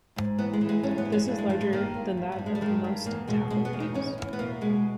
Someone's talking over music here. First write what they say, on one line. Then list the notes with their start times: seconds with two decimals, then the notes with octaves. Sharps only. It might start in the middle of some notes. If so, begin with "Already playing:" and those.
This is larger than that of most "tafl" games.
0.16 G#2
0.38 E3 B3
0.53 G#3
0.61 E3
0.69 G#3
0.83 G2 C#4
0.98 B3
1.05 E3
1.12 G#3
1.28 G2
1.38 G#3
1.49 G2 G3
1.61 G#3
1.73 D#3 A#3
1.94 G2
2.17 G2
2.32 G3
2.38 G2
2.46 G#3
2.55 G3
2.61 D#3 G#3
2.84 G2
3.06 E2 A#3
3.27 B2 G#3
3.50 B2 G#3
3.65 B3
3.73 E2
3.80 D#4
3.94 E2 C#4
4.18 E2
4.33 B3
4.39 B2 A#3
4.61 B2 G#3